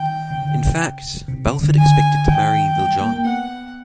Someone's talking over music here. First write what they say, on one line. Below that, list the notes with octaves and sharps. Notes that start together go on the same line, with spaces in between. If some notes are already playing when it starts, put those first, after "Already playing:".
In fact Belfort expected to marry Viljoen.
Already playing: D#3 G5
C#3
D3
C#3
C3
C#3
D3
D3 G#5
D#3 G5
G#3
G3
A#3
A#3
B3 F#5